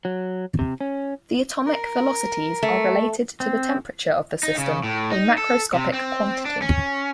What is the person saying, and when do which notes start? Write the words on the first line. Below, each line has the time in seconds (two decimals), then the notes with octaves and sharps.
The atomic velocities are related to the temperature of the system, a macroscopic quantity.
0.05 F#3
0.59 C3
0.81 C#4
1.67 A#4
2.63 A3
3.40 C4
4.43 D#4
4.58 C#3
4.84 A2
5.11 D#4
5.38 A4
5.74 C3
5.93 C4
6.45 D4
6.62 C#4